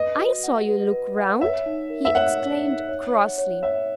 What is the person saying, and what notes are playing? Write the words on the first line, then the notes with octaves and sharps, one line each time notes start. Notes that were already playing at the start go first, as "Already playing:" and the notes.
'I saw you look round!' he exclaimed crossly.
Already playing: B4 D#5
F#4
F#5
B4
B4
F#5
C#5 E5
D#4
A#4
E5
C#5 F#5
C#5
D#4
C#5
C#5
C#5
C#5 E5